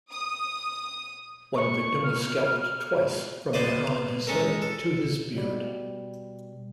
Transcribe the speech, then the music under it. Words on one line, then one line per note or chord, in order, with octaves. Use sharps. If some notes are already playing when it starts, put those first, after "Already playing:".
One victim was scalped twice, from the hair on his head, to his beard.
D#6
C#6
F6
B3 C5 D5 D#5
G#3 C#4 A4 A#4
A4
B2 G3